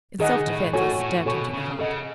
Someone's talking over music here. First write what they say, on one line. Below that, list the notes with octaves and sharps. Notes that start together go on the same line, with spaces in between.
In self-defence I stabbed him to the heart.
D#3 G#4 D#5 F#5
A2
A2 F#4 A4 C#5 G#5 C#6
A2
B2 F#4 A4 C#5 G#5 C#6
C#3
C#3 A4 D#5 F#5